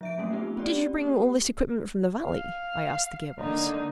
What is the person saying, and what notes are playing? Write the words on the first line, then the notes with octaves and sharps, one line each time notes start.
"Did you bring all this equipment from the valley?" I asked the Gear Boss.
F3 E5 D7
F#3 A3 A#3 C#4
A3 B3 C4 D#4 F4 G4
C4 C#4 G4 D5
A#3 G4
F5
D3 A#3 D#4